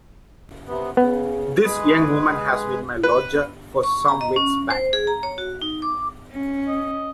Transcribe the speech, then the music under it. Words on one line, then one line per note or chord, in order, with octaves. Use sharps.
This young woman has been my lodger for some weeks back.
C3 B3
C#3 B3
G#3 G#4 B4
B4
C#6
A#5
D#5
C#4
C5
G#4
A#5
C#5
F#4
D#4
D6
C#4
D#5